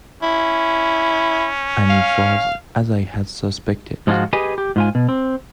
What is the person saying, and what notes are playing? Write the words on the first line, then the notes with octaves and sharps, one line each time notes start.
And it was as I had suspected.
C#4 E4
F5
G#2 F3 G#3 C4 F4 F#4
G4 G#4 B4 D#5 G#5
G4
G#2 F4 G#5
B2
C4